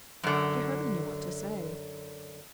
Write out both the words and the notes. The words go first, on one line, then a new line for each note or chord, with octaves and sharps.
She hardly knew what to say.
F#2 D3